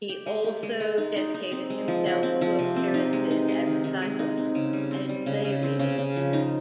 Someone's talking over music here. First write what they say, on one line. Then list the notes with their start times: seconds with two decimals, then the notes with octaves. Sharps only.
He also dedicated himself to appearances at recitals and play readings.
0.09 G4
0.26 G#3
0.44 G4
0.63 G#3
0.80 G#3
0.98 D#4
1.16 D#4
1.34 D#4
1.52 C4
1.70 G#3
1.88 F3
2.06 F3
2.23 C4
2.41 F3
2.59 C3
2.76 C4
2.94 D#4
3.13 G#3
3.31 D#4
3.48 G#3
3.66 D#3
3.84 D#3
4.02 G#3
4.19 D#4
4.37 C4
4.55 C#3
4.73 G3
4.91 C4
5.09 G3
5.26 C#3
5.44 C#3
5.63 C4
5.79 C#3
5.98 C#3
6.16 F3
6.33 D#4